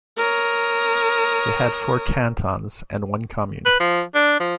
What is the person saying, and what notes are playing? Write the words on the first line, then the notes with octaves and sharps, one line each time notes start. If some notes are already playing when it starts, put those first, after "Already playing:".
It had four cantons and one commune.
A#4 C#5 D#6
B4
F3
D4
F3